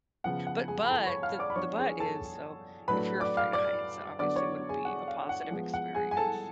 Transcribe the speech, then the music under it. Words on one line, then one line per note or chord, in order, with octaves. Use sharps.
But but the the but is so, if you're afraid of heights, that obviously wouldn't be a positive experience.
C#3 F3 B3 F#5
F#5
G#4 G#5
B5
A4 A5
C#5 C#6
F5 F6
D5 D6
B5
F3 B3 D4 C#5 C#6
G#4 G#5
A4 A5
A2 F#3 A3 D4 B4 B5
D5 D6
F5 F6
D5 D6
D3 F#3 B3 D4 D5 D6
C#5 C#6
G#4 G#5
F#5
F5
F#5
F3 G#3 B3
F#5
G#4 G#5
G#5
A4 A5